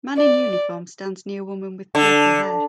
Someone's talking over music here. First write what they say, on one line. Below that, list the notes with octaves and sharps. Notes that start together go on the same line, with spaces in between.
Man in uniform stands near woman with purple hair.
D5
D3